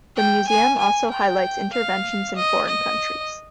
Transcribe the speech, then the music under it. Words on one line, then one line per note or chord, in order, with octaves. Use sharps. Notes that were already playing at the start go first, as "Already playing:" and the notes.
The museum also highlights interventions in foreign countries.
G5
G#5
G#5
G5
F5
D#5
D#5